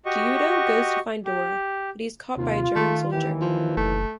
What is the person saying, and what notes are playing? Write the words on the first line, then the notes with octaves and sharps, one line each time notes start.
Guido goes to find Dora, but he is caught by a German soldier.
F#4 G4 D#5 C#6
G4
D#2 C3 F4
D#3 A3
D#2 E3 G4
F3
F#1 A3